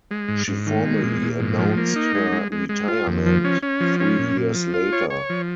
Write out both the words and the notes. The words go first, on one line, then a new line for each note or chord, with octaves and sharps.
She formally announced her retirement three years later.
G#3
G#2
G#2
D#3
G#3
A#2
A#2
G#2
F3
A#3
D#4
G#3
G#3
G#3
G#3
F4
F2
F3
C#4
C#4
F3
C#4
A#2
A#2
F3
F4
C#5
C#5
F3